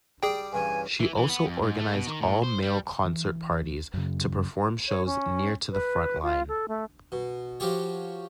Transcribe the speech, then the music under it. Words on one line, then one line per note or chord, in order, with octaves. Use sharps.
She also organized all-male concert parties to perform shows near to the front line.
G3 G#4 D5 G5
G2 C#3 E3 G#5
E3
E3
B3
F2
G#2
A3
B2
D#3
A2
C5
G3
E3
F#2 C#3
C#5
C#4
B4
F4
A4
A3
B2
F3 F#4 G4 C#5